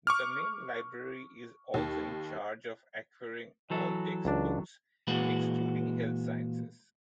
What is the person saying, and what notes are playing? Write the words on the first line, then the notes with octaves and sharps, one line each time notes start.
The Main Library is also in charge of acquiring all textbooks excluding health sciences.
C#6 D6 F6
D#2
E3 F#3 A4
C#2 D4
A#2 E3 G#3 F#4 B4